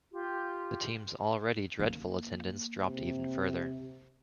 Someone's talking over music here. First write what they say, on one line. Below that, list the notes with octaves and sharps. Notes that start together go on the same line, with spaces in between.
The team's already dreadful attendance dropped even further.
F4 G4
A#3
C3